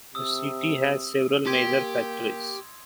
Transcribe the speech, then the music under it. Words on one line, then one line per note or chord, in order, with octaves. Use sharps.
The city has several major factories.
C3 D#6 E6
A#3 G4 C6 G#6